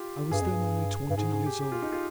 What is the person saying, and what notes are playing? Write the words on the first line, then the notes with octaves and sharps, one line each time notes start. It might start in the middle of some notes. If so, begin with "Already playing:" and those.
I was then only twenty years old.
Already playing: F4 G4
G2 G#4
F2
G2
G2
G#2 G#4
G#4
G4
G4
F4
D#4
F4